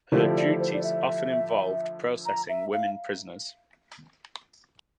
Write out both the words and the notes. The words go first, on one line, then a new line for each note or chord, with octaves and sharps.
Her duties often involved processing women prisoners.
D3 F3 A3 E4 G4 D5
D5
C5
D5
E5
A#5
E5
F5